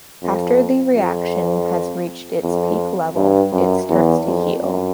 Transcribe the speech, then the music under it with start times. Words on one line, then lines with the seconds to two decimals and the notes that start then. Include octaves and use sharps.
After the reaction has reached its peak level, it starts to heal.
0.23 F2
0.96 F2
2.43 F2
3.16 G2
3.52 F#2
3.89 E2
4.26 F2
4.63 F#2